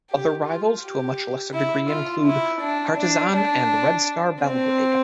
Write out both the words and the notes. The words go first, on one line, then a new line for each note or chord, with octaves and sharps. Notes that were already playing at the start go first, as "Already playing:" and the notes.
Other rivals to a much lesser degree include Partizan and Red Star Belgrade.
G4
F4
G4
E4
F4
E4
D4
D4
D4
C4